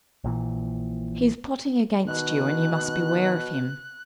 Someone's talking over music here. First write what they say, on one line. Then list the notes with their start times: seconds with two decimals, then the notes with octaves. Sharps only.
He is plotting against you, and you must beware of him.
0.24 A#1 A#2 E3
2.07 B2 D#3 F#6